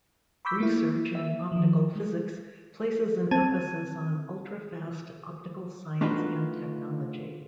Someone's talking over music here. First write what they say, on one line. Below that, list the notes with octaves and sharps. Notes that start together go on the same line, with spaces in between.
Research in optical physics places an emphasis on ultrafast optical science and technology.
B5 C#6 D6 E6 G6 B6
A#3 E4
E5
D#3 F3
G#3
C4 A5 G#6 D#7
A3 D4 D#4 F4 F#4 B4